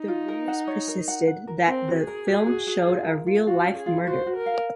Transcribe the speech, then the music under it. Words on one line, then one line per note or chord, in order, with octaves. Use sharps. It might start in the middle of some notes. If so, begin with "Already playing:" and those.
The rumours persisted that the film showed a real-life murder.
Already playing: D#4
F4
A#4
F#5
C#5
A#4
F#5
F#5
A#4
C4 A#4
F#4
G#4
A#4
F#4
F#4
F#4
F4
A#4
F4
F4 F#4
C#4
G#4
F4
F#4 C5
F#4
A#4
F5